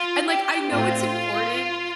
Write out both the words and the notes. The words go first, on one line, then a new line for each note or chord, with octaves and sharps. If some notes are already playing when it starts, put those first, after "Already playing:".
and, like, I know it's important,
Already playing: F4
G4
A2 A3 C4 F4